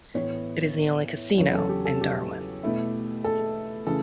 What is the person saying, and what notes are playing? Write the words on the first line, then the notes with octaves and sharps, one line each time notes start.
It is the only casino in Darwin.
A2 E3 B3 E4 C#5
E2 C#3 F#3 C#4 C#5
A4
G4
A4
G4
B2 A3 E4
A4
C#3 E3 A3 A4